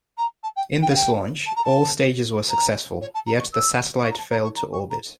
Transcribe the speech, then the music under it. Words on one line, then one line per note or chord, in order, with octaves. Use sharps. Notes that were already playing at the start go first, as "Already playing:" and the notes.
In this launch, all stages were successful, yet the satellite failed to orbit.
A#5
A5
G5
G5
F5
G5
A5
A#5
A5
A#5
C#5
A5
A#5
C#6
E6
C#6
A#5
A5
A#5
C#6
A#5
C#6
A#5